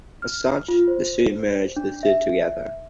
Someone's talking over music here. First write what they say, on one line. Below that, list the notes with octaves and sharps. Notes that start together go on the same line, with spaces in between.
As such, the Sui merged the two together.
F6
F4
C5
D4
E5